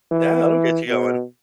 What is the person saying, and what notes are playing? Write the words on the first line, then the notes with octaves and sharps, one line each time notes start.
Yeah, it'll get you going.
E3
B2